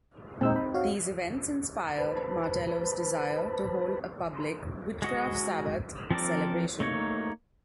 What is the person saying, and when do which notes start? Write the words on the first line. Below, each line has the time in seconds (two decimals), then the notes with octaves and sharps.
These events inspired Martello's desire to hold a public Witchcraft Sabbat celebration.
0.41 A#2 G#3 C4 D#4 E6
0.56 B5
0.74 F#4 C#5 F5
1.98 B4 C5 A5 B5
5.02 G#3 F#4 D#5
6.11 F3 C4 A4 A#4 D5
6.80 A3 A#3 D#4 C#5